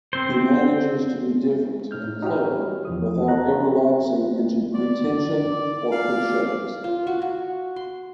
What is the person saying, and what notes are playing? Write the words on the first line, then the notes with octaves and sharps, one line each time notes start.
He manages to be different and clever without ever lapsing into pretension or cliches.
C4 C5
A2 D#4 F6 G6
D#4 F#4 G4 C#5 E5 F6
E2 F3 E4 D#6
A4 A#5 F#6
D5
F5
F4
F#4
F#4
C6